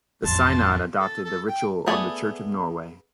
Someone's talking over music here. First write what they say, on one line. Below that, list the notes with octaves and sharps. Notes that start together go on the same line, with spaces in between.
The Synod adopted the ritual of the Church of Norway.
A1 F2 A5 C6
A4
A4
G5
A3 B3 G#4 A4 D5